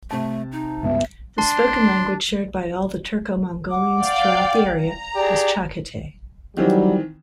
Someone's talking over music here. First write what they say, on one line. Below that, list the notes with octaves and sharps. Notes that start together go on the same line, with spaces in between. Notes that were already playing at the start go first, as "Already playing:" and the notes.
The spoken language shared by all the Turko-Mongolians throughout the area was Chaghatay.
C3 A3 A5
D#4
C#2 G2 B3 E5
D4 A5 C6
F#5 D6
D5 F5 G5
A#5
G4 G#4 D5
D#3 E3 F#3 G3 C4